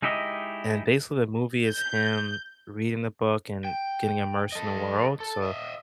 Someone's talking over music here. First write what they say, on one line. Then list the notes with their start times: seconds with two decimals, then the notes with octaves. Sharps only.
and, basically, the movie is him reading the book and getting immersed in the world, so,
0.02 G#3 D#4 E4 G4 D#5
1.68 G6
3.65 G5
4.52 A4 D#5
5.20 A4
5.42 D#5 E5